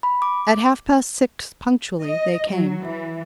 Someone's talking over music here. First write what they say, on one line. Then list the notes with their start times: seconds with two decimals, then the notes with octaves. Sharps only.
At half-past six punctually they came.
0.03 B5
0.22 D6
2.04 D#5
2.51 F#3
2.85 E3